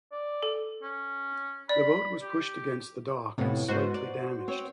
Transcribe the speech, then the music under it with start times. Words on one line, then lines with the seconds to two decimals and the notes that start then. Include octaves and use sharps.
The boat was pushed against the dock and slightly damaged.
0.12 D5
0.43 A4
0.83 C#4
1.69 D5 B5
2.22 G4
3.38 F2 A2 C3 B3
3.68 G#2 B3 F#4 C5
3.94 D5
4.48 C4 C#5